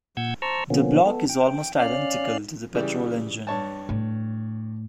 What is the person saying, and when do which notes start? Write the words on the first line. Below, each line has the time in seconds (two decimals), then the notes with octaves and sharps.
The block is almost identical to the petrol engine.
0.17 A#2 F#5 E6 G6 G#6
0.42 C5 A5 A#5 C#6 E6 F6
0.70 B2 D3 F3 A#3 B3 C#4
1.06 B3 A4
1.29 G5
1.80 C#4 D5 F5 F6 F#6
2.75 C#3 E3 G3
3.47 G2 C#5 A5
3.89 A2